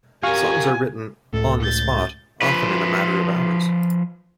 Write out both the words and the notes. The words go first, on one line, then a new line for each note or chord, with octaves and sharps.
Songs are written "on the spot", often in a matter of hours.
F#4 G4 A#4 F5 G#5 C#6
C#2 A2 A4
G6 A6
F3 B4